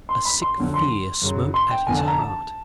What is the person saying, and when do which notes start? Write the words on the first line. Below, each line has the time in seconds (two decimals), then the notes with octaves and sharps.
A sick fear smote at his heart.
0.09 C6
0.25 B5
0.42 C6
0.57 F2 D3 F#3
0.74 C6
1.22 F#2 C#3 F#3
1.54 C6
1.71 G5
1.87 F1 F2 D3 G#5
1.98 A5
2.08 A#5
2.19 A5